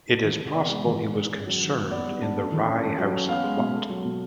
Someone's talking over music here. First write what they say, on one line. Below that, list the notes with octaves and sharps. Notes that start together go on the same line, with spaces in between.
It is possible he was concerned in the Rye House Plot.
A3
E3
C3
B3 D5
G#3
E3
G#3
E3
C#4
F#3
D#3
A#3
B3 D5
G3
D4
A3
E3
C#4
A3
F#3
C#4
B3 F5
G#3
B2
A3
F#3
B2